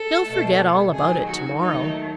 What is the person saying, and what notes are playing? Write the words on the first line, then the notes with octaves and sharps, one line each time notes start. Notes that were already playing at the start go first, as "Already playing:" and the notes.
He'll forget all about it to-morrow.'
Already playing: A4
B2 A3
D#2 D#3 F#3 G#4
F#4
D#2 D#3 F#3 A3 D#4